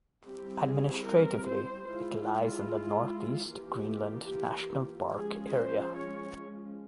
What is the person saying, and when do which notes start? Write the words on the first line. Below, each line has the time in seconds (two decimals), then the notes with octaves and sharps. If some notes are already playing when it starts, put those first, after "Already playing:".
Administratively it lies in the Northeast Greenland National Park area.
0.25 G3 C4 E4 G4
0.66 G#4
1.06 A#4
1.47 C5
1.87 G#3 E4 F4
3.52 E3 A#3 F4 G4
5.14 F3 G#3 C#4 F4 G#4
5.55 C5
5.96 C#5